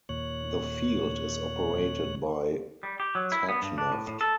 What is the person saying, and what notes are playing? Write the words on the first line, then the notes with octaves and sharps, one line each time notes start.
The field is operated by Tatneft.
D#2 A#2 C#5 F#6
G3
G4
F#3
E4
B3
G2
D4
A2
A2
A4